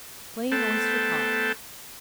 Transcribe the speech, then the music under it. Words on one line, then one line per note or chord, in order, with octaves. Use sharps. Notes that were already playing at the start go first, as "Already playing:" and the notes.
Plain Oyster Pie.
A3 B3 A4 C5 G5 A5